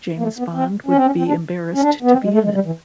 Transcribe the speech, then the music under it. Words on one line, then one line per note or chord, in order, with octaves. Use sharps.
James Bond would be embarrassed to be in it.
A#3
A3
B3
C4
C#4
C4
C#4
C4
D4
C#4
D4
B3
C4
G#3
A3
G#3
G3
E3